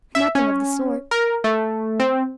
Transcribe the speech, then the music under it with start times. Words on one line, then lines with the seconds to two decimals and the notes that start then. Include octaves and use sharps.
Nothing of the sort!
0.15 E5
0.35 C#4
1.11 A#4
1.44 A3
2.00 C4